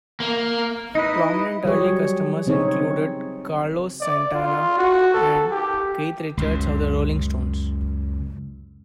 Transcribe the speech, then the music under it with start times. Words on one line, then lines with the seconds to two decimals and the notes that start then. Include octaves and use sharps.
Prominent early customers included Carlos Santana, and Keith Richards of The Rolling Stones.
0.20 A#3
0.95 D#4 E4 B4 D#5
1.65 F#3 G3 G4 G#4 C#5
2.47 C#3 C4 D#4 G#4 C#5
4.00 D5
4.35 F4
4.78 F#4
5.14 A4
5.51 G4
6.37 C#2 F#2 C#3